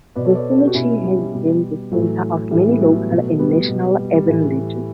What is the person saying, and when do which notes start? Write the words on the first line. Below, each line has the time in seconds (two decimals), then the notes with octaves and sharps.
The cemetery has been the center of many local and national urban legends.
0.15 B2 B4 D5
0.25 A4 C#5
0.35 B4 D5
0.51 A4
0.59 G4
0.68 F#4
0.74 B2 C#4 E4
1.03 G3 B3
1.19 G3
1.33 B2 G3
1.92 A2 E3 F#3 A3
2.50 A2 E3 G3
2.66 A3
2.73 B3
2.81 F#3 A3
3.10 B2
3.39 G3 B3
3.69 B2
3.99 G3
4.13 G3
4.28 A2 E3 G3